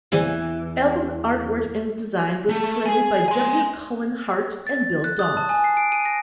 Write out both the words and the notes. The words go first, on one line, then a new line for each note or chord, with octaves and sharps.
Album artwork and design was created by W. Cullen Hart and Bill Doss.
E2 C3 E3 G3 F5
A3
G#4 G#5
G#5 C6
A6
F#6
D#6
A5
G#5
C7
D7
D#7
A#6